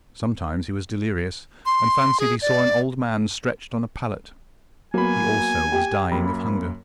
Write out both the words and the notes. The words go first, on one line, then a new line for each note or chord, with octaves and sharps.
Sometimes he was delirious, and fancied he saw an old man stretched on a pallet; he, also, was dying of hunger.
C6
G#4
D5
F#3 A#3 B3 G#5 B5
G4 G5
F#2 A#3 B5